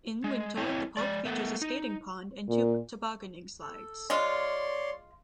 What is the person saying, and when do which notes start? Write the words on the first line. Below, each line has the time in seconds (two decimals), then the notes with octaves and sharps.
In winter the park features a skating pond and two tobogganing slides.
0.24 G#3
0.57 C4 E4 C5 C#5
0.97 G#3 D5
1.25 A3 B3
1.62 D#4
2.49 A#2
3.61 A4
4.10 G#3 F4 C#5 D5 C6